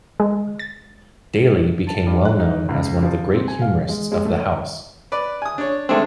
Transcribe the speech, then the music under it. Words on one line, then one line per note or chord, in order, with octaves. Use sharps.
Daly became well known as one of the great humorists of the House.
G#3
A6
A5
G2
F#6
D#4
C#2
F3
C4
G#5
F5
G#3
G#3
A3
B4 D5
G#5 D#6
D4 C#5
D#3 G#3 A3 C4 D4